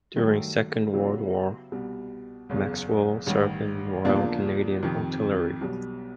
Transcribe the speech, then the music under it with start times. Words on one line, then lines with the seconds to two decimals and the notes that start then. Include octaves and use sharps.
During Second World War, Maxwell served in the Royal Canadian Artillery.
0.16 G2 D#3 F#3 A3
0.93 C#3 F#3 B3 E4 G4
1.72 C2 B2 G3
2.49 F#1 E2 C#3
3.27 A1 G2 D#3
4.05 E2 C#3 F3 A#3 D4
4.83 F2 C3 D#3
5.61 B1 B2 G3